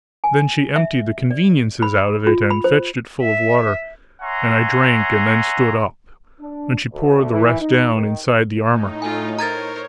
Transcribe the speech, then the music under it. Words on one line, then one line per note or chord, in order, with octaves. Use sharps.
Then she emptied the conveniences out of it and fetched it full of water, and I drank and then stood up, and she poured the rest down inside the armor.
G#5
E5
D5
B5
F4
B5
C5
E5
C#5 E5 F#5 G#5 A#5 C6
D4
D2
E3
D#4
D#3
A2 D#4
A3 F4 G#5
A#4 C5 C#5 A#5 G#6 A6